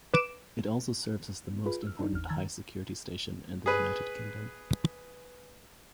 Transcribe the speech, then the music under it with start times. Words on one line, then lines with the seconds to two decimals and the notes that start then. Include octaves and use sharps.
It also serves as the most important high-security station in the United Kingdom.
0.14 B4 D6 D7 E7
1.66 F4 G#4 B4 B5
1.82 E6 F6
1.99 D4 D#4
2.12 G#1 E2 F6
2.29 D#3 A#5 E6 G#6 A6
3.66 G#4 B4